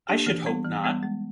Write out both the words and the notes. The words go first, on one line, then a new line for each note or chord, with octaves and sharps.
I should hope not!
A#3 D4 G4
E3
G3 B3
E3
G3 B3
G#3